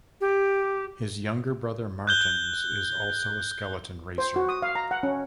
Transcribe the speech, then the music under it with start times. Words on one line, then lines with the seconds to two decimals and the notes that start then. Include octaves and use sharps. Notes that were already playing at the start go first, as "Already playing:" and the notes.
His younger brother Martins is also a skeleton racer.
0.21 G4
2.07 F#6 G6 G7
4.18 C5
4.36 F#4
4.49 D#6
4.62 F5
4.75 A#5
4.91 F#5
5.03 C#4